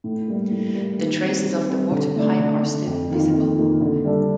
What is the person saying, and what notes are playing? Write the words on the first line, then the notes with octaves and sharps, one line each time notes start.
The traces of the water pipe are still visible.
A2
G3 A#3
A2
G3 A#3
D#3
G3 C4
D#3
G3 C4
D3
A3 D4
D3
A3 D4
F2
D#3 A#3 F4
F2
D#3 A#3 F4
D3
G3 D4 A4